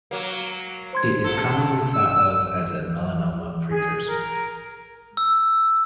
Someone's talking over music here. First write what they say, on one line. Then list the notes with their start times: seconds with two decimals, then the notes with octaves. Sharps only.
It is commonly thought of as a melanoma precursor.
0.11 F#3 A#3
0.93 C5 C6 G#6
1.24 C3 A4
1.93 E6
3.70 G#4
4.06 A#4
5.17 E6